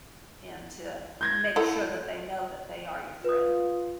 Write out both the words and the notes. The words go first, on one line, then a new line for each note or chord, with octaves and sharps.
and to make sure that they know that they are your friend.
G6 G#6 A#6
E4 A4 F#5
F4 B4 D#6